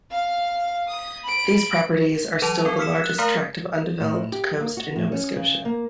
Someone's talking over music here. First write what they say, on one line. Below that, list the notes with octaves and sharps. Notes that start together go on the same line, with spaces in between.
These properties are still the largest tract of undeveloped coast in Nova Scotia.
F5 F6
D#6
B5 D7
E3 F#3 A5 D#7 F7
C4 A4
E6 F6 B6 C#7 E7
F#6
A3 A#4 F5 A#5 F6 B6
A2
G4
A#3
F#4
A2
C#4
C#3
A#3